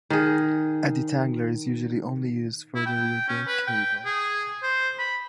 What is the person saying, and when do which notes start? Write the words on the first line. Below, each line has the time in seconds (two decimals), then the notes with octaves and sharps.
A detangler is usually only used for the rear brake cable.
0.10 D#3 G#4
2.75 E4
2.86 G5
3.28 C#4
3.47 B4
3.67 G5
4.05 G#4
4.62 C5
4.99 B5